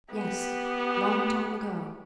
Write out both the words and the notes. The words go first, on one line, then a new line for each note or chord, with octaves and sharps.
Yes, long-time ago.
B3 G4